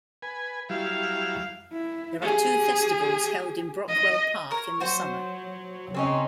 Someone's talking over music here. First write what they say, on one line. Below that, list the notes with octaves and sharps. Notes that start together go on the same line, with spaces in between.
There are two festivals held in Brockwell Park in the summer.
B4 G#5
F#3 G3 E4 F5
E4
G4 G#4
D#5
A#4 C#5
F#3 F#4 C5
C#3 C4 C#4 D#4